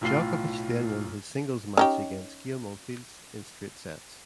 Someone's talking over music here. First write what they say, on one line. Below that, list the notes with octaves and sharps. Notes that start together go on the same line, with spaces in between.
Djokovic then won his singles match against Gael Monfils in straight sets.
B1 A2 F4 C7
C#4 D#4 G4